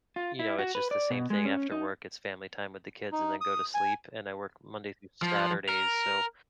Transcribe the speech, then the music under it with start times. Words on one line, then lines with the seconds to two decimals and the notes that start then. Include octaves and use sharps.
you know, it's just the same thing after work, it's family time with the kids and then go to sleep, and I work Monday through Saturdays so,
0.16 F4
0.39 E4
0.59 F#4
0.75 B4
0.91 D5
1.10 B2
1.30 G#3
1.45 C#4
1.72 D#4
3.12 D#4
3.41 D#6
3.74 G#5
5.22 F3
5.69 A#4